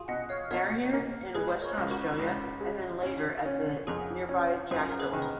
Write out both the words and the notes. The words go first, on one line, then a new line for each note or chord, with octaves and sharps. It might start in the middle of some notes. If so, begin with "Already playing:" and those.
Narryer in Western Australia and then later at the nearby Jack Hills.
Already playing: F4 F#4 G#4
B2 D#5 F#5
C#5 F5
B2 A#4 C#5
A#3
G#3 G#4 B4
A#4 C#5
C#2
F#4 A#4
C#2
G#3
C#4
C#4
F2 F4 G#4
C#4
F#2 F4 G#4
A#4
G#4 B4
D#3
A#4